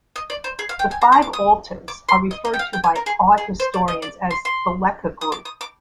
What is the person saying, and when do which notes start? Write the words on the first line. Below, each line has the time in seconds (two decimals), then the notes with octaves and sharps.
The five altars are referred to by art historians as the "Leka group".
0.16 D#5
0.30 D5
0.44 C5
0.59 G#4
0.69 F5
0.79 G5
0.91 G#5
1.01 A#5
1.12 A#5
1.22 D6
1.33 D#6
1.88 D6
2.09 C6
2.31 D#5
2.45 D#5
2.54 G5
2.59 F5
2.73 G5
2.84 G#5
2.96 A#4
3.06 G#4
3.38 G#4
3.60 C5
3.74 D5
3.88 D#5
4.02 D5
4.31 C6
4.45 C6
5.21 D#6
5.32 D6
5.45 D#6
5.61 D6